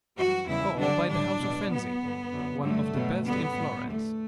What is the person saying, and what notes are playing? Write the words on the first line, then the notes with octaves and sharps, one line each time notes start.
"Oh, by the house of Fenzi, one of the best in Florence."
F#2 E3 G3 F#4
E2 C#3 G3 E4
G2 D3 F#3 D4
A2 G3 D4
E2 B2 F#3
B2 F#3 B3
G2 D3 F#3
F#2 D3 F#3
G2 D3 F#3 A3
B2 F#3
F#2 D3 G3 B3
A2 G3
E2 D3 G3 A3